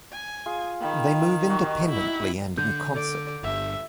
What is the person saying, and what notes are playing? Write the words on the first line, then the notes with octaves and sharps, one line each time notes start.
They move independently and in concert.
G#5
F4 G#4
D#3 G5 B5
D#4 F#4 G4
E4
D3 G6
A4 D5
G1 G2 E5